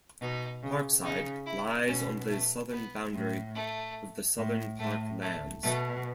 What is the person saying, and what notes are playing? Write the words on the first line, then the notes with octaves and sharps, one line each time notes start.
Parkside lies on the southern boundary of the southern park lands.
B2 D#4
C#3
C#3 D#4
E4
B2 C#4
A3
B3
A2
A3
A2
A2 A3
A3
B2 A3